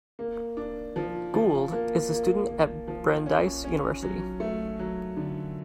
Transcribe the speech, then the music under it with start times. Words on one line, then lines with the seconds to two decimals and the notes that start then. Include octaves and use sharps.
Gould is a student at Brandeis University.
0.19 A#3
0.57 D4
0.96 F3
1.34 F3
1.72 A#3
2.10 A#3
2.49 A#3
2.88 F3
3.26 C#4
3.64 C#4
4.02 F#3
4.40 A3
4.79 F#3
5.17 D3